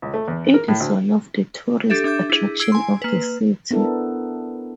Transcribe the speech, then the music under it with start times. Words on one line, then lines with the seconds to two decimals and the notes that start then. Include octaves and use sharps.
It is one of the tourist attraction of the city.
0.02 C#2
0.14 A3
0.28 E2
0.54 A#4
0.68 A2
0.80 D2
1.90 D4 G4 A4 E5
2.04 D4 E5 D6 G6
2.30 E4 G#4
2.60 E6 G#6 C7 D7
2.72 G#5 C6
3.02 A#3 B4
3.71 B3 D4 E4 A4 A#4